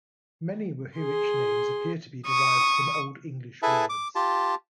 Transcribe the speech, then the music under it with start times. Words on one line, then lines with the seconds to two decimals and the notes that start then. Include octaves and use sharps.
Many Rohirric names appear to be derived from Old English words.
0.98 G#4 C6
2.26 C#6 D#6
3.63 E4 G#4 A4 B4 E5 A5
3.89 D6
4.15 F4 G4 A5